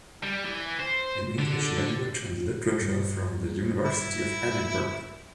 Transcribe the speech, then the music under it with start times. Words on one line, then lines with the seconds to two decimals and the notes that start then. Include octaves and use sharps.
In English Language and Literature from the University of Edinburgh.
0.23 G3
0.44 E3
0.79 C5
1.38 D3
1.77 D3
2.81 G2 G3
3.84 E4 B5